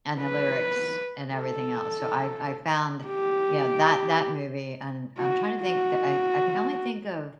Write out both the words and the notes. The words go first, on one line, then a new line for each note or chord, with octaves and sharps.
and the lyrics and everything else. So I I found, you know, that that movie, and I'm trying to think. The I I can only think of
B4
A4
G4
F#4
F#4